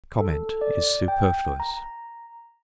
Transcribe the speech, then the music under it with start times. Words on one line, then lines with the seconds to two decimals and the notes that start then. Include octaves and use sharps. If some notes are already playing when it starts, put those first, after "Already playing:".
Comment is superfluous.
0.21 A4
0.61 D5
1.08 G5
1.60 A#5